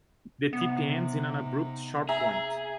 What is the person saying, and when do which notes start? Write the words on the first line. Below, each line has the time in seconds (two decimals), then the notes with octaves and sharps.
The tip ends in an abrupt sharp point.
0.53 C3 B3 D#4
2.09 G#4 E5 A#5